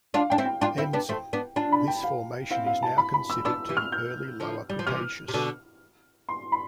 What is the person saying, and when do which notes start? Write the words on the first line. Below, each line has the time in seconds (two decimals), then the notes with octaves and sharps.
Ensom, this Formation is now considered to be early Lower Cretaceous.
0.14 D4 F4 F5
0.30 D4 G5
0.38 C4 E4
0.46 G5
0.61 D4 F4 G5
0.78 C4 E4
0.93 B3 D4
1.09 A3 C4
1.33 B3 D4
1.56 D4 F4 A5
1.72 B5
1.88 G5
2.03 F5
2.51 C4 E4 F5
2.66 F5
2.83 A5
2.98 B5
3.14 B5
3.30 E6
3.45 B3 D4 E6
3.69 E3 G3
3.77 F6
3.92 G6
4.40 D3 F3
4.70 G3
4.79 F3
4.87 C3 E3 F6
5.28 C3
5.34 B2 D3
6.29 C6
6.52 B5